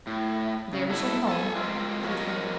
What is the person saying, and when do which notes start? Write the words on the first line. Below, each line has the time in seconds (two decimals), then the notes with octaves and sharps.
"There is your home," she said.
0.07 A2
0.73 C#3
0.90 B2 E4 A4
1.28 A4 G#5
1.56 G#3 A#3 C4 F4
2.04 F3 F#4 A#4 C#5 D#5